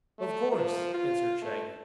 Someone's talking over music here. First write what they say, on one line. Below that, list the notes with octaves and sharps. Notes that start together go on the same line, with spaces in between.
"Of course," answered Shaggy.
A3
F3
F4
A3